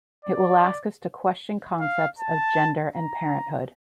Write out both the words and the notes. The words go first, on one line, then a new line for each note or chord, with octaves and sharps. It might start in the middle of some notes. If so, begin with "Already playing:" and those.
It will ask us to question concepts of gender and parenthood.
D5
F5
A5
A#5